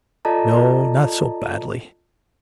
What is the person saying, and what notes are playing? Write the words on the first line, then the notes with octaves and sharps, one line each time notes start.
'No, not so badly.
F4 A4 D5 D#5 A5 A#5